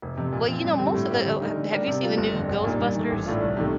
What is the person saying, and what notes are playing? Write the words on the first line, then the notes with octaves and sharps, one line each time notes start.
Well, you know, most of it oh, ha have you seen the new Ghostbusters?
F1
F2 C3
A#2
F3 C4
G2
D3 G3 C4 G4
A2
G3 C4 G4
D2
D3 A3 D#4 A#4
D3
G3 D4 G4 A#4
C3
G3 A#3 F4
G1
F2 D3 F3
A#1
A#2 G3 A#3 D#4
G2
D#3 A3
A1
A2 A3 D4 F4
C2
C3 D#3 A3